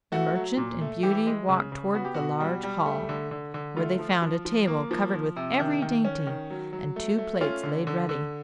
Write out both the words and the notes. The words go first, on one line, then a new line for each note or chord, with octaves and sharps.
The merchant and Beauty walked towards the large hall, where they found a table covered with every dainty, and two plates laid ready.
A3 F#4
F#3
A#2
A3
E3 G4
G#3
C#3
C#3
B3 F#4
G4
B2 F#4
G3
G3
A3
D3
D3
D3
A3 F4
F3
F3
F3
A#3
F3
F3
C3
D#3
D#3
C#4
D#3
F#3
F#3
A3
A3
C#4 F4
D3
D3
D3